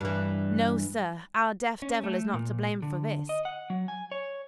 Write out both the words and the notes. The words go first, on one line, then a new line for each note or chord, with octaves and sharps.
No, sir; our deaf-devil is not to blame for this.
G2 E3
C#4
A3
A#2
D3
D#5
F#5
F#3
G#5
C#5